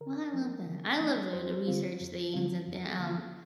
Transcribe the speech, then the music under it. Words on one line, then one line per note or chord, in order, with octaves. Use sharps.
Well, I love that. I love doing the research things and the, um
D3 A#4
F3 A#3 D4
D3
F3 A#3 D4
F2 C5
D3 G3 C4 F4
F2
D3 G3 C4 F4
F2
D3 A#3 F4